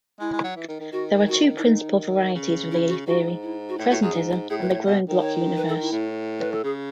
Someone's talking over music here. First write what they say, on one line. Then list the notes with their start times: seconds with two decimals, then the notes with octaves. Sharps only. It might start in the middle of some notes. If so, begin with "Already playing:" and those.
There are two principal varieties of the A-theory, presentism and the growing block universe.
0.20 G#3 E4
0.33 G#3
0.44 F#3
0.56 E3
0.68 D#3
0.80 D#3
0.92 D#3 F#4
1.28 F#4
1.58 E4
1.64 D#3 D#4
2.35 C#3
2.71 E4
2.88 F#4
3.06 G#2 F#4
3.43 E4
3.69 F#4
3.77 A2 E4
3.90 A2 F#4
4.02 F#2 G#4
4.14 G#2
4.50 A2 G#4
4.61 B4
4.73 C#5
4.85 B2 D#5
5.09 D#3
5.22 C#5
5.57 B4
5.68 A4
5.81 E4
5.92 A2
6.39 B4
6.52 A4
6.64 C#3 G#4